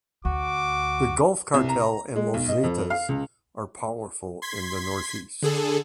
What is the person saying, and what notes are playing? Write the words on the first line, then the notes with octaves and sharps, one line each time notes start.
The Gulf Cartel and Los Zetas are powerful in the northeast.
D2 F#4 D6
C2
A#5
G#3
B1
D#5
F2
F5
C#2
C6 G#6 B6
D3 G#4 A4